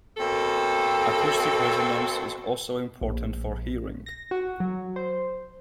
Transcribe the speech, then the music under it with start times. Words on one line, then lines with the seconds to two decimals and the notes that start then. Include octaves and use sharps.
Acoustic resonance is also important for hearing.
0.17 B2 A#3 C4 A4
3.01 A#1
4.06 A#6
4.31 F#4
4.60 F#3
4.96 C5